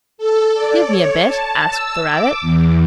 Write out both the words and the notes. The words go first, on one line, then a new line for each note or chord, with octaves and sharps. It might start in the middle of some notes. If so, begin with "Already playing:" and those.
'Give me a bit,' asked the rabbit.
A4
D5
C#5
A5
E6
D6
E2